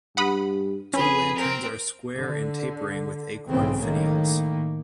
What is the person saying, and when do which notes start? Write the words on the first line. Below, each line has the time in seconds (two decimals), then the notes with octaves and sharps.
Two lanterns are square and tapering with acorn finials.
0.17 G2 F#5 B5 D#6
0.94 F2 C#4 G#4 B4
1.36 C4 A#4
2.17 D3
3.48 B1 G#2 C#3 E3 C4
3.81 A2 D#3 A#3